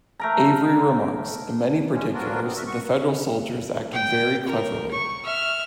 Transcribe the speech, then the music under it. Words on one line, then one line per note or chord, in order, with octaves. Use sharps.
Avery remarks: In many particulars the Federal soldiers acted very cleverly.
A3 A#4 A#5
F3 G#3 C#4
A#3 C4 D4 F4 F#4 A#4
C#3 G3 B3 C4
F#4 A#4 E5
F#4 C#6
G5
A#4
C#6
E5 F6